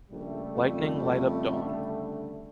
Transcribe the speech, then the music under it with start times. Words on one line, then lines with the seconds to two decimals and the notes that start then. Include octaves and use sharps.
Lightning light up dawn.
0.11 A#1 C#3 G3 A3
0.56 F2
1.63 D3